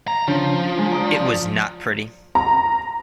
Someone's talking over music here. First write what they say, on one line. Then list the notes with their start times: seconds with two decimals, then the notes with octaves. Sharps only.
It was not pretty.
0.08 A#5
0.28 C#3 F3 D4
0.79 G#3
0.92 D5 A#5 D#6
2.35 A#5